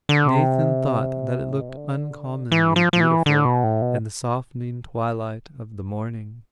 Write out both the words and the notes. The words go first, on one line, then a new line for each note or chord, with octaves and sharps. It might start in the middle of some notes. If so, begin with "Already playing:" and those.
Nathan thought that it looked uncommonly beautiful in the softening twilight of the morning.
D3
C3
A2
B2
C3
D3
E3
F3
F3
E3
D3
B2
A2
B2